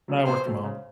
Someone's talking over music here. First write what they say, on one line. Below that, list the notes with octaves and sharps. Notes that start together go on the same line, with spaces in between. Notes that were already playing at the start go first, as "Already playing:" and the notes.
No, I work from home.
F#3 A3
A#2 C5
F#3 A3
C#3